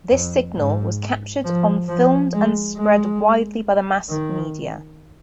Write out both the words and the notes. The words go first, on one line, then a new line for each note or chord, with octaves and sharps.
This signal was captured on filmed and spread widely by the mass media.
F2
G#2
F3
F3
G#3
G#3
D#3